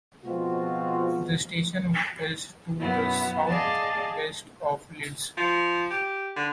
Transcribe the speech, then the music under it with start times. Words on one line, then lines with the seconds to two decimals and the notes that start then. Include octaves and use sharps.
The station is to the south west of Leeds.
0.25 B2 F3 G#3 C4 F4 F#4
2.79 F#2 B2 B3 E4
3.47 G#4 D5 D#5 F5 A5
5.37 F3
5.90 G4
6.36 D3